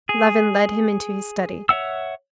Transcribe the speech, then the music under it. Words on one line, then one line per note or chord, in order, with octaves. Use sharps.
Levin led him into his study.
G#4
C#5 E5 F#5 E6